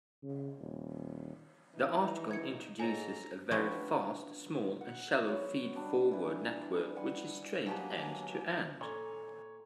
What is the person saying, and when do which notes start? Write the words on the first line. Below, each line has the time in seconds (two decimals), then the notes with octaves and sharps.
The article introduces a very fast, small, and shallow feed-forward network which is trained end-to-end.
0.23 C#3
0.59 D#1
1.75 E3 D#4
2.31 G#6 C#7
2.80 G#2 A4 C#5 G#5 A#5
3.51 F3 B3 C#4 D4 G4 D#5
4.81 F#5
5.28 F#3 B3
5.76 G3 D4
6.11 E3 B4
6.96 G3 F#5 G#5 C6
7.66 F#3 G#3 A#3 B3 D4 G4 G#5 A5
8.81 A#2 A4 C#5 G#5